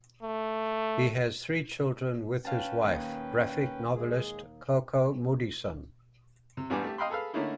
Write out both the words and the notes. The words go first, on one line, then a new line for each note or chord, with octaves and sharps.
He has three children with his wife, graphic novelist Coco Moodysson.
A3
C#4 B4 F5 G5 A5
D#2
G#3 G#4
C3
A1 G3 B3 D4 G#5 D6
A3 G4
D#5 F5 G5 B5 C6
G#4 A4 B4 F5
D3 A3 A#3 C#4 D#4 E4